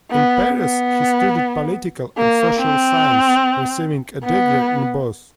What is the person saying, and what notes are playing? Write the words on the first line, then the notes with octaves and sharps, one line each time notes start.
In Paris he studied political and social science, receiving a degree in both.
B3
B3
A#3
C4
B3